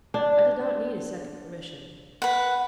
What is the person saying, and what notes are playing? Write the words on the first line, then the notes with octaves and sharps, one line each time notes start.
I did not need a second permission.
D4
B4 F#5